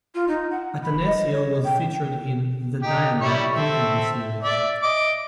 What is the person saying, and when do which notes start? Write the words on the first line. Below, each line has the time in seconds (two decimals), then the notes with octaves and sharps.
Attanasio was featured in "The Dialogue" interview series.
0.15 F4
0.28 D#4
0.50 F#5
0.83 B5
1.06 D#5
1.31 C#5
1.64 G5
2.82 D#4 G4
3.21 G3 E4 C#5
3.55 C4 A4 E5
4.43 D5 E5
4.82 D#5 D6